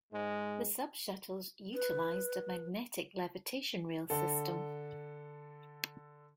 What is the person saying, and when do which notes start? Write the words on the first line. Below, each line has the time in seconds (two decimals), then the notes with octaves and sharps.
The Subshuttles utilized a magnetic levitation rail system.
0.12 G#2 G#3
1.74 B4
4.10 D3 A4